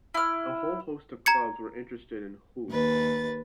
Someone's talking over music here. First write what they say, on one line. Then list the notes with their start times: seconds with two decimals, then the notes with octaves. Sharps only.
A whole host of clubs were interested in Hulse.
0.14 E4 F6
1.26 A#5 G#6 C#7
2.69 D#2 B4 A6